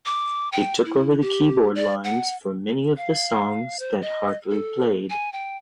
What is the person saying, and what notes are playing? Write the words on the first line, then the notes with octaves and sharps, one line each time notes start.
He took over keyboard lines for many of the songs that Hartley played.
D6
G5
E4
G4
D5
F#5
F5
C5
D#5
A4
G#5
G5